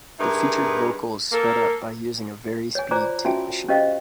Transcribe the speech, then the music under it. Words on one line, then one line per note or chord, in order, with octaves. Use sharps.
It featured vocals sped up by using a vari-speed tape machine.
G2 D#4 E4 G#4 A#4 B4
A#3 A4 A#4
C#5 G#5
F4 C5 D5 G#5 A#5 D6
C#4 F4 F#4 E5 G#5 A5
C#4 G4 C5 D#5 F5 G5